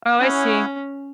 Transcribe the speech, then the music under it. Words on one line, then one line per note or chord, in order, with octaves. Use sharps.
Oh, I see.
C#4 E4 G#4 C#5 F#5